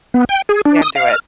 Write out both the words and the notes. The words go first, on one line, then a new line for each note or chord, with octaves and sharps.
Can't do it.
B3
G5
G#4
D4
D#6
F5
F6